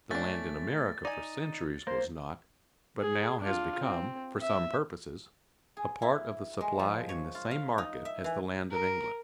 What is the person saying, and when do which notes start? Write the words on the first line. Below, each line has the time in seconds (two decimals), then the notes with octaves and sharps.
The land in America for centuries was not, but now has become, for some purposes, a part of the supply in the same market as the land of England.
0.11 A3 C#4 D4 A6
1.05 D#4 D5 G#5
1.87 A#3 C5
3.01 G#4
3.40 D4 F4
3.81 C4
4.42 E5
5.77 G#4
6.02 E4
6.61 G#3
6.79 F3
7.09 C#5
7.35 F4
7.51 F5
7.78 D#4
8.05 E5
8.24 E3
8.71 A#4